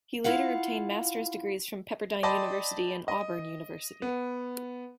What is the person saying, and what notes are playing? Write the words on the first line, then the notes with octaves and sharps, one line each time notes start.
He later obtained Master's degrees from Pepperdine University and Auburn University.
E4 F4 F5 F#5
D5 D#5 G5 A5 B5 C6
D#5
B3